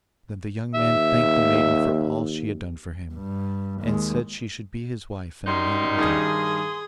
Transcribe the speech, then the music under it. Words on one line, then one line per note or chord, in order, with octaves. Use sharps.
Then the young man thanked the maiden for all she had done for him, and said she should be his wife and none other.
D#2 E5
G2
D#2 G#3
F#2 G3 D#4 C6
G2 D#3 G#4 D#6